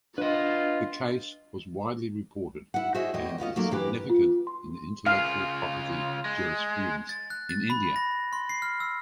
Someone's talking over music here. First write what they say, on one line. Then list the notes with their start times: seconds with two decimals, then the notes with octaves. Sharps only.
The case was widely reported and is significant in intellectual property jurisprudence in India.
0.18 D4 F4 B4 D#5
2.74 E4 F#5
2.94 F#4 G#4 C5 D#5 E5
3.14 E2 A2 E3 D#5 G5
3.38 B3 C#4 F4 D#5
3.56 D#2 F#3 A3 A#3
3.71 G2 E3 G4 B4
4.10 F4
4.47 C6
5.06 C#3 F4 F5
6.25 G#3
7.09 A6
7.30 F#6
7.49 A6
7.70 B5
7.96 A#6
8.33 C6
8.49 C7
8.62 F6
8.80 E6